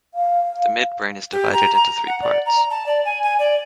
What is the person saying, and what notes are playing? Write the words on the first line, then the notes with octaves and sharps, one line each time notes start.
The midbrain is divided into three parts.
F5
G4
A#5
A#5
F#5
D5
A#5
A5
D5
G#5
G#5
D5